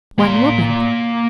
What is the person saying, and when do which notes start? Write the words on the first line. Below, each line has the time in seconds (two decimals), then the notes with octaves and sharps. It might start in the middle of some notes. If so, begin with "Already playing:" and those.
One woman.
0.18 A#3 C6